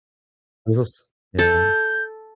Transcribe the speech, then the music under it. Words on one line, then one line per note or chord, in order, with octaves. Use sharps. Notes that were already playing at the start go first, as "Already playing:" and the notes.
This was Yeah.
A4 G6